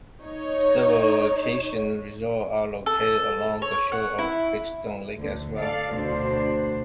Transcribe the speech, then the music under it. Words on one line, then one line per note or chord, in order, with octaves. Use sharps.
Several vacation resorts are located along the shores of Big Stone Lake as well.
D#4 C#5
A4
C#5
F#5
E4
D2 D3
A4 D5 F5
D2 B2 D4 C5